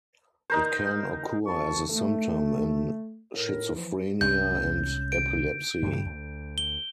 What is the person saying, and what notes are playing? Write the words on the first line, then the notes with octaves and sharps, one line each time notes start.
It can occur as a symptom in schizophrenia and epilepsy.
D#4 A#4 C5
F2 A5 C#6
A3
A2 A#4
E3 F3
C2 G#3 C#4 G6
D7
G2 E3 G3
D2
G7